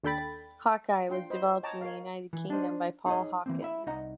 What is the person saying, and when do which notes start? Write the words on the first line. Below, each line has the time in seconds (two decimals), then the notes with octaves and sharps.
Hawk-Eye was developed in the United Kingdom by Paul Hawkins.
0.03 D#2 D4 A4 G5 B5 A6
1.10 D4 F4 G5 C6
1.30 C5 D#5 B5
1.63 C#5 D#5 G5 A5 A#5 D6
1.81 A#4 C#5 F5
2.33 E3
2.50 D4 D#4 C5
3.06 D#4 G#4 A4 C5 C#5 D#5
3.46 E3 A#3 C4
3.62 E4 E5
3.86 C2 D#4 D#5 F#5 A#5